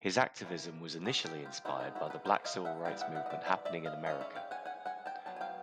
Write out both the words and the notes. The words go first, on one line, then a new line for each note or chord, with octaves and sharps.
His activism was initially inspired by the Black civil rights movement happening in America.
E3 G3 A#3
F#4 G#4
G4 A4
F4 G4
G#3 B3 D#4 E4 F#4
D#4 F4
E4 F#4
A#4
A4 B4
A#4 C5
D#5 F5
E5 F#5
E3 G3 B3 F5 G5
E5 F#5
E5 F#5
D#5
D5 E5
D5 E5
D5 E5
D#5 F5
G#3 C#4 D#5 F5
D5 E5
F5 G5
F#5 G#5
F#5 G#5
F#5 G#5
G5 A5
F#3 B3 A5
G#5
F5 G5